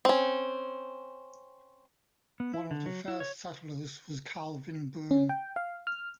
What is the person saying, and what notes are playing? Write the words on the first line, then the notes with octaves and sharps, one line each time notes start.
One of the first settlers was Calvin Boone.
C4 C#4
B3
E4
D3
F#3
E4
C#5
C#4
G5
F5
F6